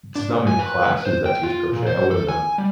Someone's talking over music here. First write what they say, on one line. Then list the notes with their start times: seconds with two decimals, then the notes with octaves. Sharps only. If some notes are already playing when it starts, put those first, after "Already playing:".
there's not many classes that teach crochet I wouldn't
0.16 D4
0.30 A#2
0.47 G#5
0.59 B4
1.06 C5
1.26 G5
1.43 F4
1.72 A#2
1.87 C5
2.11 A4
2.28 G#5
2.58 G3